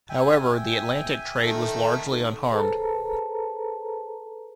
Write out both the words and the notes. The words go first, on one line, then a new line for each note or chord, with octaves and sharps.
However, the Atlantic trade was largely unharmed.
E5 G5 G#5
D#3 A3 A4
G#4 A4 B4 C5 A5 A#5